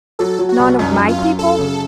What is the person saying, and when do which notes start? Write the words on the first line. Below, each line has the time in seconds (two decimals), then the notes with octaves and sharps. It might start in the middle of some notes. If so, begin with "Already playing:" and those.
'None of my people?
0.19 F#3 A4
0.39 F#3
0.49 F#4
0.59 C2
0.79 F#2 D#4
0.99 F#2
1.09 F4
1.19 F#2
1.39 F#2 A4
1.59 C#3